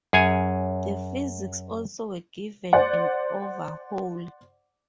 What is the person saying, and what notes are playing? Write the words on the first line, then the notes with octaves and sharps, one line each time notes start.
The physics also were given an overhaul.
F#2 G#4 C#5 G#5
C5 D5 F#5